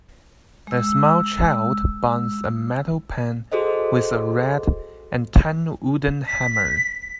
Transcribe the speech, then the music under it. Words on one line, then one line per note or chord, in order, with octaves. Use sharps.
A small child bangs a metal pan with a red and tan wooden hammer.
G#3 E6
F#4 G#4 A4 C5 D#5
B6